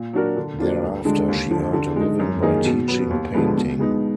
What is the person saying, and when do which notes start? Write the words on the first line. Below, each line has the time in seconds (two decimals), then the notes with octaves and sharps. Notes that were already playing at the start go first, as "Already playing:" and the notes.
Thereafter, she earned a living by teaching painting.
Already playing: A#2
0.13 F#3 D4 F#4 A#4
0.37 D3
0.59 F#3 A#3 D4 F4
0.82 D2
1.05 D3 G#3 D4
1.28 D#2
1.51 D3 F3
1.73 D3
1.96 G#3 D#4
2.20 F#2
2.42 D#3 A#3 D#4 G#4
2.65 B2
2.88 F#3 B3
3.10 D#2
3.34 D3 F3 G#3 B3
3.57 B2
3.79 G#3 B3 D#4